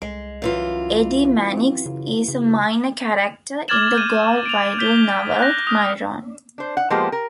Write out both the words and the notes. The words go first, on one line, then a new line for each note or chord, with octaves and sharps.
Eddie Mannix is a minor character in the Gore Vidal novel "Myron".
C2 G#3
F#2 E3 F4
C4
C#3
C#3
D6 F6 G#6 A6 E7 F#7
G6 D#7
D7 F7
G6 B6 G7
F#6 G6 A#6
D#6 F6 F#6
D4 C5
F#5
F3 G#3 A#3 B3 G4 C5
A#4